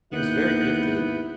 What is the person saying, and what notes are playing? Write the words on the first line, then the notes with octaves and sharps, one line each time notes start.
he was very gifted,
D#2 B3 E4 F#6 G6